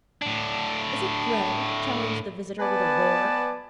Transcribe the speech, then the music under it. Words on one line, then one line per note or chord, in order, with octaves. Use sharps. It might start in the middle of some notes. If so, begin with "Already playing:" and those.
"Is it grey!" challenged the visitor, with a roar.
A2 D4
B3 B4 D5 G#5 A5